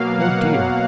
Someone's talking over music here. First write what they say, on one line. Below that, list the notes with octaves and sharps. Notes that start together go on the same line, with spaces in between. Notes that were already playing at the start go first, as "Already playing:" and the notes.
Oh dear!
Already playing: B2 F#3 A#3 F5
F#5